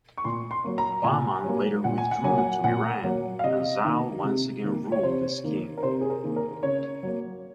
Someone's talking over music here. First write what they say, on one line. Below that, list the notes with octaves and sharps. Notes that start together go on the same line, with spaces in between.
Bahman later withdrew to Iran, and Zal once again ruled as king.
C#6
A#2 C6
C6
F#3 A#3
A#5
A#2 G#5
F#3 A#3
A#2 F#5
G#5
F#5
F#3 A#3 G#5
F#5
A#2 F#5
F#3 A#3
F5
C3 D#5
D#3 A#3
C3
D#3 A#3
C#5
C3 C5
D#3 A#3
A#4
C3 C5
G#4
A#4
D#3 A#3
A#4
C#3 C#5
F#3 A#3